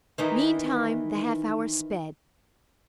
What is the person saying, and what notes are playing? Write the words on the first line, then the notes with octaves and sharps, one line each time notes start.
Meantime, the half-hour sped.
D#3 E3 D#4